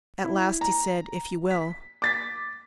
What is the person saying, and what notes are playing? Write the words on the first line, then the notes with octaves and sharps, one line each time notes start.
At last he said, "If you will."
E4
A#5
B6
D6 A6 B6